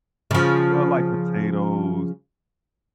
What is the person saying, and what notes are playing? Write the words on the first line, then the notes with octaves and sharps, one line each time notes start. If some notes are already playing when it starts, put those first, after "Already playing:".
well, like potatoes,
C#3 F3